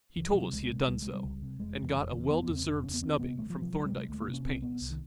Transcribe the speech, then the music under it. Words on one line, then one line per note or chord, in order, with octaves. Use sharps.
"He told us he had done so, and got a well-deserved snubbing from Thorndyke for his pains."
C#2 E3
F3
C3
F#3
C#2 G#3
C3
C#2 G3
C3 G#3
G3
C#2
C3
F1 G#3
E2 C#3
F1
E2 C#3
F1 B3
B3
E2 C#3
C4
F1 D4
E2 C#3 C#4
B3
D2 C4
C3 B3
D2 A3
F3
C3
F3
D2 F#3
G3
C3
G#3
D2 A3
A#3
C3
C#4
C2 C4
A#2 B3
C2
D#3